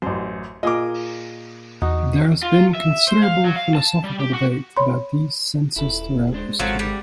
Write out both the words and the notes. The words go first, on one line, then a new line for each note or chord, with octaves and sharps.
There has been considerable philosophical debate about these senses throughout history.
A1 F#2 C5
A#2 G#4 A#4 D#5 D6
E2 D#4 F#4
F4
E5
C5
F5
F#3
F5
A5
G3
G4
F#4
C#5 B5 C6
D#1 E4 A4
G#3 D4 C5
G#1 F3 F#3 G#3 C4 A4
G3